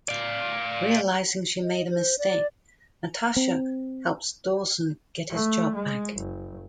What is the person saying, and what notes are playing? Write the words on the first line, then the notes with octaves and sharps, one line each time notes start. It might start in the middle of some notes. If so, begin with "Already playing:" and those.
Realizing she made a mistake, Natasha helps Dawson get his job back.
D5 F5
D#5
C5
D5
C4
A3
G#3
F#1